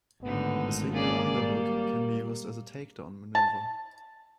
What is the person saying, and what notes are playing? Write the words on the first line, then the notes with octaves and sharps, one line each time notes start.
A single underhook can be used as a takedown maneuver.
G#1 A2 D3 B3 D#4
A#3 C#4 G#4 D5
G3
A5